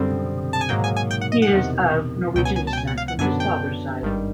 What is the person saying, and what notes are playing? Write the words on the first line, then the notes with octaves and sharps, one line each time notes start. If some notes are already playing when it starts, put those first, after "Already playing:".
He is of Norwegian descent from his father's side.
Already playing: F#2 D3 G3 C4
A5
G#5
G#2 D#3 F#3 A#3 G5
G#5
G#5
G5
F#5
D#5
F#5
E2 C3 D#3
C#2 B2 F#3 G5
G#5
G#5
A5
G5
G#5
F#5
F5
F#5
F#2 D3 F#3 B3 D4 G#5
G5
G#1 G2 D#3 G3